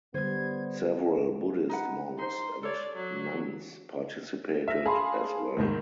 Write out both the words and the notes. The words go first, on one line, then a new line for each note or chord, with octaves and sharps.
Several Buddhist monks and nuns participated as well.
D3 G3 B3 C5 G#6
D#4 B4 F#5
D#4 C5 C6
A4 C#5 D5
F#3
E5 F6 A#6
G#4 F5 A5 B5 C6
D#2 G#2 D#3